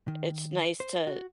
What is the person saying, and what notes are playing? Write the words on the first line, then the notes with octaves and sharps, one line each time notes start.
It's nice to
D#3
C5
F#4